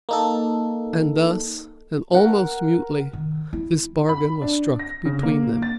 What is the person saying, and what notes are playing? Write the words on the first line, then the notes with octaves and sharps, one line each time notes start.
And thus, and almost mutely, this bargain was struck between them.
A#3 D#4 A4
A#4 F#5
D#3
E4
B5
D4
A#6
C#3
A#3
A6